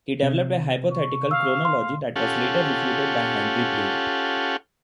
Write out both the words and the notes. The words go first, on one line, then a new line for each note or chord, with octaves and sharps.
He developed a hypothetical chronology that was later refuted by Henri Breuil.
C3
C#6
F5 E6
C6
C#4 F4 G4 A4 F#5